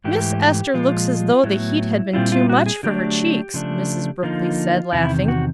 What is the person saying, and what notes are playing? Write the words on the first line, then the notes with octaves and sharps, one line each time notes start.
"Miss Ester looks as though the heat had been too much for her cheeks," Mrs. Brookley said, laughing.
G#2 E3 A3 G4
A#2 F3 G#3 F4
A2 F#3 B3 E4
A#2 G3 C4 E4 F4
F4
F#4
G#4
D3 F#3 A3 D4 G4
C#3 F3 A3 D4
D3 F3 A#3 D#4 F4
E2 C3 D#3 E4
F#4